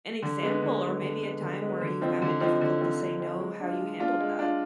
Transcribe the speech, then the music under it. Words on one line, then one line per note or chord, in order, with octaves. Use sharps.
an example or maybe a time where you found it difficult to say no, how you handled that.
D3
G#3 B3
D3
G#3 B3
D3
G#3 B3
D3
G#3 B3
D3
F3 C4 D#4
D3
F3 C4 D#4
D3
F3 C4 D#4
D3
F3 C4 D#4
G#3
D4 F4
G#3
D4 F4
G#3
D4 F4